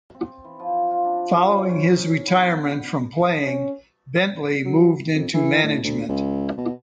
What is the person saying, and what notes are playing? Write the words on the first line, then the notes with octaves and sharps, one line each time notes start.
Following his retirement from playing, Bentley moved into management.
C4
E3
F3
F4
D4
C#3
C5
C#4
D#4
B3
D3
C#4
F#3
F2
E3
A2
D2
C#2
B2